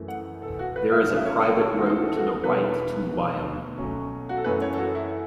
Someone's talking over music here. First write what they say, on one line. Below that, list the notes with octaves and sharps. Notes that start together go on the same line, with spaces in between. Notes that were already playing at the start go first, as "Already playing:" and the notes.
There is a private road to the right to Wyham.
Already playing: F#2 E3 A3
F#5
B2 B3 A4
F#4
B4
E5
C#3 F#3 C#4
E5
C#5
A4
E4
E2 E3 A3 C#4 F#4
A4
F#4
A4
F#4
E2 B2 B3 B4
B2 B3
B2 F#3 A3 C#4
F#4
A4
F#2 E3 A3 C#4 B4
C#5
A4
F#4
E4